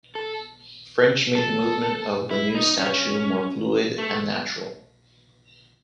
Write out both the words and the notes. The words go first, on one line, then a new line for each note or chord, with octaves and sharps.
French made the movement of the new statue more fluid and natural.
A4
A4
E4
D#4
C#4
A3